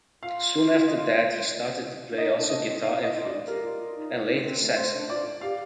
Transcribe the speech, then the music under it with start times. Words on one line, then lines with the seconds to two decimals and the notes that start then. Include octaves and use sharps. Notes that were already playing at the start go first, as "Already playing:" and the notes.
Soon after that he started to play also guitar and flute, and later saxophone.
0.23 F4 F5
0.88 D#5
2.10 D4
2.17 D#4 D#5
2.34 D4
2.50 D4 D#5
2.66 C4
2.82 D#4 F5
2.99 F4 D#5
3.15 F4
3.25 D5
3.31 F4
3.47 G4 A#4
3.63 F4
3.79 F4
3.96 D#4
4.28 C4
4.44 C4
4.61 A3
4.76 A3 C5
4.93 D4
5.10 F4 D5
5.41 G4 F5